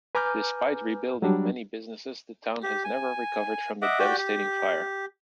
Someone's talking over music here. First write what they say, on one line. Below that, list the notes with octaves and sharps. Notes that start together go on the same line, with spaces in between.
Despite rebuilding many businesses the town has never recovered from the devastating fire.
B4 G#5 A#5 D6 F6 G6
F#3 G3 D4
G4
G#5
D#5 E5 F#5 D6
F#4 G4 D5 G5
G4